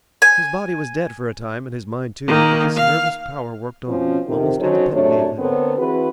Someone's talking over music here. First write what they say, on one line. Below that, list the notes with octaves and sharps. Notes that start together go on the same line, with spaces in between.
His body was dead for a time and his mind too, but this nervous power worked on, almost independently of him.
G#5
D#3 A#3
F5
B2 F3 C4 C#4
F2 C3 D#3
F#3 C#4 D#4 A4 C5 C#5
F#2 C3 A3 D4 C#5
D3 B3 C4 A4 A#4 C#5
E3 C4 F#4 G#4 B4